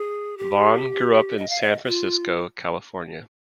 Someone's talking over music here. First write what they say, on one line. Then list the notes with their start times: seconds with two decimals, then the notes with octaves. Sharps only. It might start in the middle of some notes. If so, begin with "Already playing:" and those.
Vaughn grew up in San Francisco, California.
Already playing: G#4
0.38 G4
1.37 D#5
1.49 F5
1.62 D#5
1.86 F4